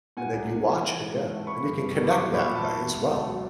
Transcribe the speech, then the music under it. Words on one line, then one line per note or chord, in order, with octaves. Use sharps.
And then you watch it, yeah. And you can connect that way as well.
A#2 F#5 G#5
C2
C2
F3
E3
G#2
G#2
A3
E3 B5 C#6
G2
G2
G3
C#6
F#3 C6 D6
A#2
B5 C#6
A#2
A5 B5
A3
B2
C#2
A3
F#3